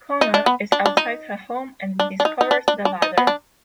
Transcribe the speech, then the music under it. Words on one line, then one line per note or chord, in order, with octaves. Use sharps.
Corner is outside her home and discovers the ladder.
D#4
D4
B3
D4
D4
D#4
D4
D4
D#4
D#4
D4
D4
D4
D#4
B3
D4